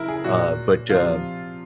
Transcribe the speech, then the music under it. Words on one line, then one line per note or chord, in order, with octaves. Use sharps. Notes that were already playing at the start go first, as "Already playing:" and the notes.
uh, but, uh,
Already playing: C#3 F#3 E4 A#4
G#4
A#2 F#3 F#4
C3 F3 F4